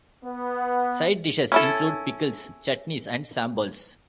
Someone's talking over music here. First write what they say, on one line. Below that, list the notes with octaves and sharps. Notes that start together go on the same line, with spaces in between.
Side-dishes include pickles, chutneys and "sambols".
B3
C#4 E4 A4